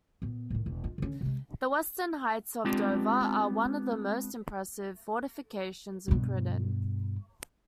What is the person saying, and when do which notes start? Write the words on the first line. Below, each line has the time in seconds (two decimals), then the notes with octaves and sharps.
The Western Heights of Dover are one of the most impressive fortifications in Britain.
0.22 A#2 B3
0.50 A2 D#3
0.66 E1
0.84 F4
0.98 D3 C#4
1.21 C3 G#3
2.64 G#3 B3 C4 D4 F4 G4
6.08 G2 B2